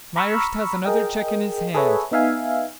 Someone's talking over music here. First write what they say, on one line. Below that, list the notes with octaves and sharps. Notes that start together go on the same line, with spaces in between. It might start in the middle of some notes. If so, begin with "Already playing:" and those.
Myerst has another cheque in his hand.
A#5 B5 C#6 E6 F6
G#4 A#4 D#5 G5
G#4 A4 B4 C#5 E5
B3 D#4 E5 F5 G#5